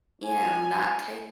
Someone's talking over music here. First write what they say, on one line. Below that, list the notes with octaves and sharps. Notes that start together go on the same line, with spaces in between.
you know, not take
G#5